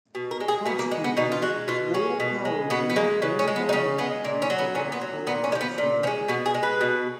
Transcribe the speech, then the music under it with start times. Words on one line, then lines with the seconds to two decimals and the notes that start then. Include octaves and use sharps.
Consequently, royal power remained only nominal in Croatia during Charles's reign.
0.15 B2
0.31 A#4
0.41 G#3
0.48 G#4
0.66 B2 B3
0.79 A#3
0.91 G#3 B3
1.04 B3
1.17 B2 D#4
1.32 F4
1.42 G#3 F#4
1.68 B2 F4
1.94 G#3 C#4
2.20 B2
2.45 G#3
2.70 B2 B3
2.90 B3
2.96 G#3 A#3
3.22 C#3 B3
3.39 C#4
3.48 G#3
3.56 B3
3.69 D#4
3.73 C#3 C#4
3.98 G#3 B3
4.24 A#2 A#3
4.42 C#4
4.50 F#3
4.59 B3
4.75 A#2 C#4
4.92 B3
5.01 F#3
5.27 A#2 B3
5.44 C#4
5.52 G#3
5.55 F3
5.61 B3
5.78 A#2
6.03 F3 C#4
6.07 G#3
6.28 B2 B3
6.46 G#4
6.54 G#3
6.63 B4
6.81 B2